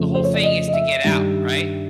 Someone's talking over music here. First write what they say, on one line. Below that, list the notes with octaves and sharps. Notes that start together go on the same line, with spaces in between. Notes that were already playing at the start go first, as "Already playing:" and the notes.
the whole thing is to get out, right?
Already playing: F2 C#3 F3 A3
C5
C#5
D5
D#5
D#5
E5
G2 D#3 G3